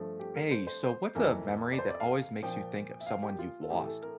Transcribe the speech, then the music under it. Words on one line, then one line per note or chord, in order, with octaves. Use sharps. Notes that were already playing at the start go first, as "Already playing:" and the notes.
Hey, so what's a memory that always makes you think of someone you've lost?
Already playing: G2 F3 A3
G4
A#4
C5
C5
C5
F2 E3 A#3 A#4
D5
C5
D5
F5
A#2 F3 A#3 G5
E5
F5
G4
F4
A4
A2 E3 A3 G4
A4
A#4